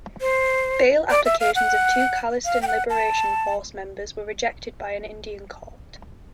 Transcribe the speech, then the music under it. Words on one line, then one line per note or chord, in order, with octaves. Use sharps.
Bail applications of two Khalistan Liberation force members were rejected by an Indian court.
C5
D5
E5
F5
F#5
F5
G5
F#5
A5